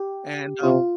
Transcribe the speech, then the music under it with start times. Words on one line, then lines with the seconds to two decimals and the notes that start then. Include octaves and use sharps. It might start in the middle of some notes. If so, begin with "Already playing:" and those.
And, um
Already playing: G4
0.63 C3 F4